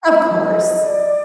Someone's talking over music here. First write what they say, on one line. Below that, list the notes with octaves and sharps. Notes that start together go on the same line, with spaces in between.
Of course.
D#5
D#5
D#5
D5